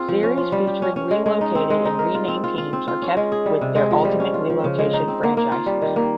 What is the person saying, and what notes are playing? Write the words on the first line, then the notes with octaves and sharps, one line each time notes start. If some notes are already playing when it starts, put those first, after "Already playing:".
Series featuring relocated and renamed teams are kept with their ultimate relocation franchises.
Already playing: C4 F4 G#4
F3
C#4
F4
G3
G4
C#4
C#4
G#3
G#3
D#4
C4
G#3
D#4
A#4
F4
C4
F4
F4
C4
F4
C#4
G#3
G#4
G3
C3
G#3
F3
G3
C#4
F4
F3
C#3
G#3
D#4
C4
A#3
A#3
F4
G3
D#3
A#3